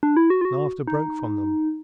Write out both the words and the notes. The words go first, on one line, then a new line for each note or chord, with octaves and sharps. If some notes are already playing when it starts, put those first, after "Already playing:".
Laughter broke from them.
D4
E4
F#4
F4
F#4
D#4